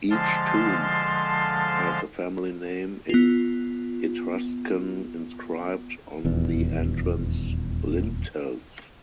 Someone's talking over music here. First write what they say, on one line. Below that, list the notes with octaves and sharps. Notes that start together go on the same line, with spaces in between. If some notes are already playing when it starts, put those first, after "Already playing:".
Each tomb has the family name in Etruscan inscribed on the entrance lintels.
D3 F3 G#3 F5 A5 C6
B3 F4
D#1 E2